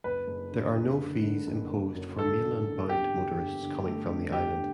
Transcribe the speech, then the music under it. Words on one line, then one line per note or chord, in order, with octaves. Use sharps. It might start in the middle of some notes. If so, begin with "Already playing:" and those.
There are no fees imposed for mainland-bound motorists coming from the island.
F#1 B4
F#1
D3
F#1
D3
D3
F#1
F#1
F#2
D3 A4
F#1
D3
G1 G4
G1
D3
D3
A3
G2
A3 G4
D3